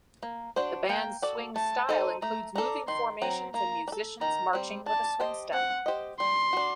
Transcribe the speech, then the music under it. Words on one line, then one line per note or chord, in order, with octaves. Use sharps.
The band's swing style includes moving formations and musicians marching with a swing step.
A#3
D4 F#4 C5
A#3 G5
F#4 A4 D5
A3 A5
D#4 A4 C5
A3 A#5
D4 A4 A#5
D#3 C6
F#3 C4 A#5
A#3 A#5
D4
A4
D#3 A#5
G3 C4
D4 A5
G4 C5 D#5
C4 F#5
G4 C5 D#5
G3 C6
D4 F#4